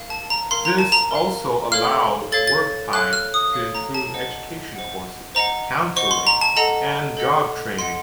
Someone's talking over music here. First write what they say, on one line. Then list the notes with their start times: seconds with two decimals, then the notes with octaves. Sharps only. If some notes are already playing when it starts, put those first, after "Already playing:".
This also allowed work time to include education courses, counseling, and job training.
Already playing: A#4 F5
0.10 A5
0.30 A#5
0.51 A#4 F5 C6
0.65 A#5
0.79 A5
0.92 A#5
1.11 A#4 F5
1.72 A4 C#5 F5 F6
2.32 A4 C#5 F5 A6
2.47 A6
2.93 A4 C#5 F5 F#6
3.13 F6
3.34 D#6
3.53 A4 C#5 F5
3.75 A#5
3.95 A5
4.14 C5 D#5 F#5
4.75 C5 D#5 F#5
5.35 C5 D#5 F#5 A#5
5.96 C5 D#5 F#5 C#6
6.11 C6
6.27 A#5
6.41 A5
6.57 A4 D#5 F#5 A#5
7.17 A4 D#5 F#5
7.78 A4 D#5 F#5 C6